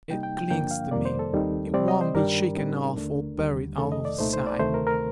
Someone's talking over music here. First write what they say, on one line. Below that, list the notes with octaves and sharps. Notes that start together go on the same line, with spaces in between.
It clings to me; it won't be shaken off or buried out of sight.
C3 G3 A#3 D#4 G5
G5
G5
G2 D3 F3 A#3 D4 G5
F5
F2 C3 D#3 G3 A#3 D5
C5
A4
D#2 D#3 G3 C4 D#4
C3 G3 C4 D5
D#5
C5
G2 D#3 G3 D4 A#4
A2 G3 C4 D#4
D#2 D3 A3 D4
D#2 D3 G3
F2 C3 D#3 A3 A4
D#5
D5
C2 A#2 A3 D#4 C5
C5
D5
D2 C3 D#3 A3 C5
A#4
A#4